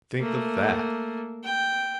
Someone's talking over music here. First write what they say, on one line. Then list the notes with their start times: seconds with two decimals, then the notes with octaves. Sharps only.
Think of that!
0.20 A3 A#3
1.44 G5